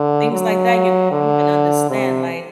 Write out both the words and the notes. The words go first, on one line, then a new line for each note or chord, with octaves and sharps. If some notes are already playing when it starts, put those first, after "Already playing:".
Things like that, you don't even understand, like,
Already playing: D3
F#3
D3
C3